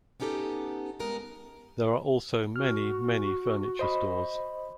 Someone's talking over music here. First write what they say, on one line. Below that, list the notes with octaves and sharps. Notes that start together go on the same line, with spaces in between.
There are also many, many furniture stores.
B3 C#4 D#4 G4 A4
G#3 B3 A#4
F#4 F6
C5 D#5 B5